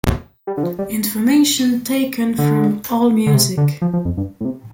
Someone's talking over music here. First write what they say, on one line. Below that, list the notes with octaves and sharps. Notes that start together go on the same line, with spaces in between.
Information taken from Allmusic.
G3
D3
F3
G3
D3
D3
C3
D3
F3
F3
F2
G2
A2
C3